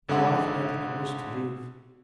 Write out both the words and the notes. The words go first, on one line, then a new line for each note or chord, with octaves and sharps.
My wife and I did not wish to leave.
G#1 D3 G#3 E5 F#5